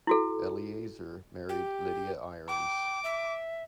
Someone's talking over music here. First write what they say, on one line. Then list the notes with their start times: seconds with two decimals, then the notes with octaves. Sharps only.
Eleazer married Lydia Irons.
0.07 E4 F#4 A4
1.49 G4
2.49 G5 D6
3.04 E5